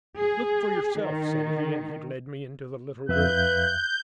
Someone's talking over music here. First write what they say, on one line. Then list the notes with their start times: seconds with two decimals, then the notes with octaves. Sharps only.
"Look for yourself," said he, and he led me into the little room.
0.20 G#4
1.00 D#3
3.09 F2 B4 E5 F5 F#6 G6